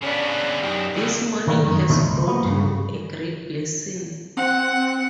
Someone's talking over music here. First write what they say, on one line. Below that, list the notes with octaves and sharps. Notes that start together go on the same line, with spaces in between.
This morning has brought you a great blessing.
C#3 B3 C#4 D4 F5
F#2 D#4 G4
C2
D#3 E3 G3 A#3
F#2 D#3
D#2 B2 D3 D#3 F3 A3
C#2
F3 A#3 B3
G2 C#3
C4 F#5